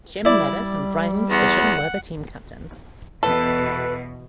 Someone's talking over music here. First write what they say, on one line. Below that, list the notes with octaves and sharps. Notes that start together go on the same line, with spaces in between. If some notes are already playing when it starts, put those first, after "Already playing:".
Jim Medes and Brian Musician were the team captains.
G3 E4 D5
E2 F#5
E2 B2 A4 B4